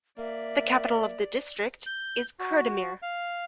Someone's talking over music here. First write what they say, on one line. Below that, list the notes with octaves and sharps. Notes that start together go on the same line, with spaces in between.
The capital of the district is Kurdamir.
A#3 D5 E5
G6
F#4
F5